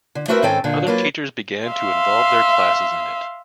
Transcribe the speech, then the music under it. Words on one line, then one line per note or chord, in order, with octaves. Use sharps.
Other teachers began to involve their classes in it.
D3
A3 C4 F#4 A#4 B4 E5
G#2 D#3 C4 C#4 A4 G5
A#2 D3
F#3 A#3 F4 B4
E5 F5 C6